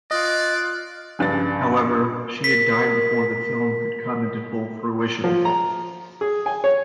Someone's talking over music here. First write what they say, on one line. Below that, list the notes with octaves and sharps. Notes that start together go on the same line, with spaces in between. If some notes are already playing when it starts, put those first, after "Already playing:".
However, she had died before the film could come into full fruition.
F4 D5 D#5 F#6
A#1 G2 C#3 A6
A#4 B6
F3
A#5
G#4
G#5
C#5